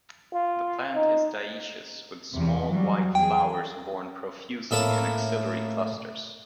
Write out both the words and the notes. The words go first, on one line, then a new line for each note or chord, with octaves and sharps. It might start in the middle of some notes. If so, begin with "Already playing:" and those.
The plant is dioecious, with small white flowers borne profusely in axillary clusters.
F4
D#4
E2 C3
F#3 G3
E2 G#4 G5
A2 A#3 A4 E5 A5 B5